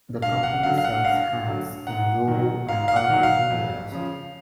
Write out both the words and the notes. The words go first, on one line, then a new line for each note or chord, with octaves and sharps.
The company sells hats in rural and urban areas.
G2 F5
F#5
D3 F#3 F5
F5
F#5
G2 F5
D3 F#3
G#2 F#5
D#3 F#3
G#2 F5
F5
F#5
D#3 F#3
F5
F2
C#3 F3